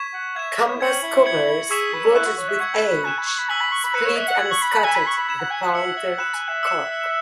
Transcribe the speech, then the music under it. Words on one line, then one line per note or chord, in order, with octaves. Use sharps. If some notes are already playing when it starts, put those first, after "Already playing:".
Canvas covers, rotted with age, split and scattered the powdered cork.
Already playing: C#6 G#6 B6 E7
F#5
E5 G#6 E7
E5
C#5
E4
C#4 G#6 C#7 F#7
E4
G#6 C#7 F#7
G#4 C#6 E6 B6 E7
B4
C#4
E4 C#6 F#6 E7
F#4
C#5
E5
F#5 C#6 G#6 C#7
B5
B5
G#5 F#6 E7
B5
C#6
B5
G#5 E6 B6 F#7
B5
C#6
B5
B4 F#6 C#7 E7
C#5
E5
F#5
G#6 B6 F#7
C#6
B5
B5
G#5 E6 B6 E7
B5
C#6
B5
B5 G#6 E7
F#5
G#5
F#5
E5 E6 C#7 F#7
F#5
E5
F#5
B5 F#6 E7
G#5
E5
E6 C#7 E7